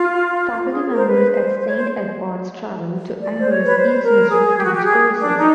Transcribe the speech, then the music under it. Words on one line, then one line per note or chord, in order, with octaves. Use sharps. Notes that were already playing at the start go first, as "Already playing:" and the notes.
Faculty members at Saint Edward's travel to Angers each semester to teach courses.
Already playing: F4
G#4
A#4
C5
B4
C5
C5
C#5
C5
D5
C5
C#5
B4
C5
A#4
G#4
G4
F#4
G4
G#4
D4
D#4